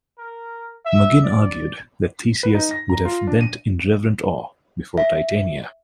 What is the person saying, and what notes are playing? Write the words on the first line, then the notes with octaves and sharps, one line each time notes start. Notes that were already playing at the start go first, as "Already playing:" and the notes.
Maginn argued that Theseus would have bent in reverent awe before Titania.
A#4
E5
D5
B4
D#4
A#6
A#5
F4
D4
D#7
E5